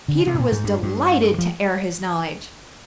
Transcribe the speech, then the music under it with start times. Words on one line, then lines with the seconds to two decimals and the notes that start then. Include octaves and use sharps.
Peter was delighted to air his knowledge.
0.08 D3
0.27 C3
0.34 G#2
0.40 A#2
0.52 G#2
0.64 G2
0.83 G2
1.38 F3